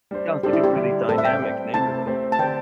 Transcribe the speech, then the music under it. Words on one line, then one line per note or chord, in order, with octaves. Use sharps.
Sounds like a really dynamic neighborhood.
G3 D4 C5
G3 D4 G4 A4 C5
E4
G4
D3 G3 E4
A2 G3 C4 A4
E5
G5
G3 C4 G4
C3 A3 E4 C5 A5
A3 C4 G4 C5
A5
D3 C4 G4 G5